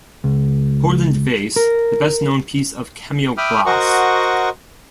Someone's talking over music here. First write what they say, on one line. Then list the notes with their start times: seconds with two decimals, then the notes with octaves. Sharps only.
Portland Vase, the best known piece of cameo glass.
0.24 C#2
1.56 A#4
3.37 E5 G5 B5 D6 D#6 F6
3.66 F#4 A#4 C5 D#5 F#5 C#6